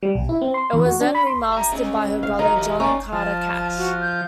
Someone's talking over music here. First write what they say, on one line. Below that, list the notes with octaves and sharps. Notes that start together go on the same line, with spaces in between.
It was then remastered by her brother John Carter Cash.
G3
B1
E4
C4
C6
E2
F#4
D4
B5
C6
E5 A#5
C#4 G#4 D#5
F5
F#3 D#4 A#4 A#5
E2 G4 E5
C#4 D5 G5 A#5
F3 A5
F#4
G6